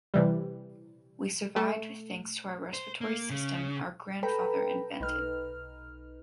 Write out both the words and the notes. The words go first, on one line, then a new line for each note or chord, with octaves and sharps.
We survived thanks to a respiratory system our grandfather invented.
C3 E3 G3
A3
C5
A#3
C#3
A4 B4 G5 A#5 B5
B1 D#4 B4 F6